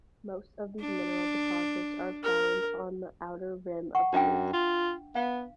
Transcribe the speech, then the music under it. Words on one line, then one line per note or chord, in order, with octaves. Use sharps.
Most of these mineral deposits are found on the outer rim of the basin.
D4
A#4
F#5 C#6
F#2 D4 E5 G5
F4
B3 F5